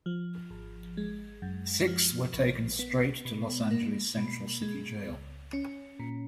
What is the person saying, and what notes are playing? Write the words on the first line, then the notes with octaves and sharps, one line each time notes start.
Six were taken straight to Los Angeles' Central City Jail.
F3
G#1
G#3
F#2
F3
A#1
B3
B2
A#3
B2
G#3
C#2
C#4
A#2